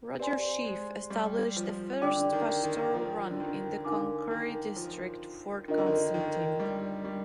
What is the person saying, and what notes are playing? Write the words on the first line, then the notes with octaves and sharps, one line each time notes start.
Roger Sheaffe established the first pastoral run in the Cloncurry district - "Fort Constantine".
C4 G4 D5 G#5 C6
G#3
G3
F3
D3 G4 D5 G5 D6
D#3
D#3
F3
D3
D#3
D3 D#4 A#4 F5 G#5 D6
D#3
F3
D#3 D4 F4 A#4 D#5
D3
D#3
D#3
G3
G3